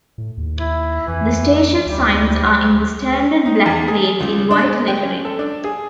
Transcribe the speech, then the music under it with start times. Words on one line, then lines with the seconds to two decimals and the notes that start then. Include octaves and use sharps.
The station signs are in the standard black plates in white lettering.
0.18 A2
0.37 D#2
0.59 E4
1.08 F2 E3
1.86 D2 G3
2.72 D2
3.46 D#4
3.66 E2
3.88 G#4
4.20 C#2
4.51 D4
4.66 G#3
4.88 G5
5.03 C#4
5.25 A4
5.39 D4
5.64 G#4